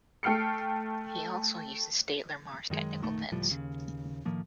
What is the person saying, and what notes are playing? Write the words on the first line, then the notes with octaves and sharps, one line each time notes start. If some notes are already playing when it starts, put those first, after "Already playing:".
He also uses Staedtler Mars technical pens.
A3 G5 F6 C7 C#7
F#2 D#3 E3 G#3
F1 A#1 D#3 A3
C#2 A2 F3 G3
D#2 C#3
A2 D#3 F3 A#3